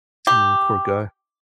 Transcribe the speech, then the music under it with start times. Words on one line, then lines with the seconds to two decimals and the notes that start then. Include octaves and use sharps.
No, poor guy.
0.27 G4